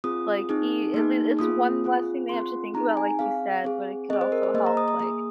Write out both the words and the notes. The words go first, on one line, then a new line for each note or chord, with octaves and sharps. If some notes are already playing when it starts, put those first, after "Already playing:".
like, i at least it's one less thing they have to think about, like you said, but it could also help, like,
C4 F4 G#4 D#6
C4 D#4 G#4
A#3 D#4 G#4
A#3 F4 G#4 D#6
C4 F4 G#4
C4 F4 G#4 C6
C4 D#4 G#4 A#5
G#5
C4 G#4 F5
C4 G#4
C4 G#4 D#5
C5
A#4
C5
A#3 G#4 D#5
A#5
D#6
D#6
A#3 G#4 D#6